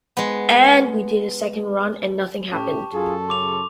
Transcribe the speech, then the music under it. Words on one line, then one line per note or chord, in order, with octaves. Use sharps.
And we did a second run and nothing happened.
G#3 B3
A2 C#4 G4 A5 C#6
F#2 F4 G#4 A4
C#3 C6 D6 F7